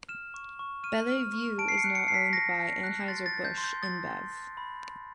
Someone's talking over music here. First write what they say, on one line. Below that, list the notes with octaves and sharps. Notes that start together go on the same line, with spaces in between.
Belle-Vue is now owned by Anheuser-Busch InBev.
F6 E7
C#6
C#6
F6 D#7
F6
C#6
A5 D7
C7
C#7
F#6
C#7
A5 C7
B6
C#6 A#6
A5
F#6
C6 A6
A6
G6
G6
C6
G6
D#6 A6
C6
G6
B5
G6